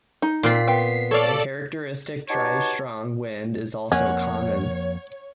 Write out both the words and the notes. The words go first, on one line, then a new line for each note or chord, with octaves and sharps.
A characteristic dry strong wind is also common.
D#4
A#2 C4 F4 B6 C7
B3 G5
A4 C#5 D5 F5
D#4 F#4 G4 B4 C#5 A5
F2 A#3 C#4 C#5 F#5